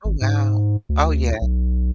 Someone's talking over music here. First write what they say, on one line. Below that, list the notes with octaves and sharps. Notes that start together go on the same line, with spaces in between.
Oh, wow. Oh, yeah.
G#1
G#2
D2
B1